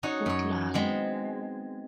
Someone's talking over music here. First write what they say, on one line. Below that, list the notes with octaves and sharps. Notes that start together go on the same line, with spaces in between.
Good luck?
C#4 D#4 F#4 C#5
F#2 C#5
G#3 B3 C4